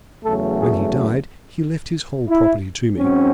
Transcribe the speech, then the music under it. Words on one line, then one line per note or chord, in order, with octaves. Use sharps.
When he died, he left his whole property to me.
E2 C#3 F#3 A3 A4
G#4
E4
G#2 F#3 C4 C#4